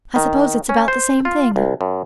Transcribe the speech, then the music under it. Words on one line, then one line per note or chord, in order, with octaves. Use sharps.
I suppose it's about the same thing.
D#3
C#4
C5
F4
C2
F#2